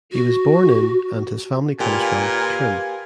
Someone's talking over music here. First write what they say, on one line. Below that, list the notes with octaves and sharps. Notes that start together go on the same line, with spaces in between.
He was born in and his family comes from Trim.
F#4
A#2 G4 B4 F5 G#5